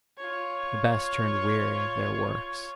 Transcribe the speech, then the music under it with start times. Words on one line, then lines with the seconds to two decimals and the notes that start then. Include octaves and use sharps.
The best turned weary of their works.
0.18 F4 C#5